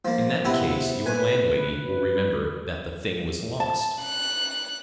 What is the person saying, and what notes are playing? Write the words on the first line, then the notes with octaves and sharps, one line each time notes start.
"In that case your landlady will remember that the thing was lost?"
F3 A#3
C3 B3 E4
B4 G#5
A5
F#6